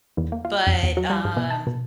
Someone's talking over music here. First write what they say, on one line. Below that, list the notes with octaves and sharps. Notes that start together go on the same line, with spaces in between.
but, um,
E2
A#3
F4
F2
E2
F#3
G3
G#2
B2
A5
B2